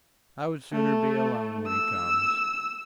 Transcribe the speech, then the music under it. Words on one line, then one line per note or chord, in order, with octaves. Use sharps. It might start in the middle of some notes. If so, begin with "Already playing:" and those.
I would sooner be alone when he comes.
A3
E6